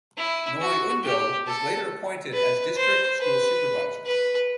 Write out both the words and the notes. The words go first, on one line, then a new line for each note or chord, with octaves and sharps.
Noy Undo was later appointed as district school supervisor.
E4
F#4
G4
A4
B4
C5
B4
B4